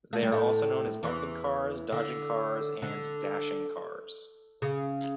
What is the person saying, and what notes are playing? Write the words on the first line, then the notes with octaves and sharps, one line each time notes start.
They are also known as bumping cars, dodging cars and dashing cars.
A3
G3
A2 A3
E2 E3
D3
D3
C#3